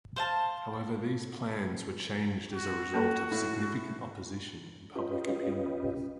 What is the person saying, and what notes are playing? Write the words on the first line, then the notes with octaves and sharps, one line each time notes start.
However, these plans were changed as a result of significant opposition and public opinion.
C5 F5 A5
F#4
A#3 C#4 A4
A2
C#4 F4 G4 B4 D#5